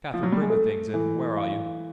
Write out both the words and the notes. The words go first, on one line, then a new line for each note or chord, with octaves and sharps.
Catherine! bring the things in: where are you?'
F3
F#3
G3
G#3
A3 A4
E3 A4
F5